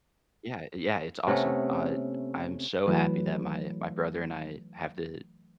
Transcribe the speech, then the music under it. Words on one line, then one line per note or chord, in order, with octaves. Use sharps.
Yeah, yeah, it's awesome. Uh, I'm so happy that my my brother and I have the
C3 A3 B3 C#4
E3 F#3 A3 B4